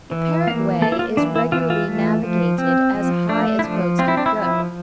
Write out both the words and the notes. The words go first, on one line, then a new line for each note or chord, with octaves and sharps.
The Paraguay is regularly navigated as high as boats can go.
E3
A#3 F5
A#3 A4
E4
F4
E3 D4
E4
E3 F4
F4
A3
F3
C4
F3
A3 D4
E4
F3 D4
C4 F4
E4
D4
E4
F3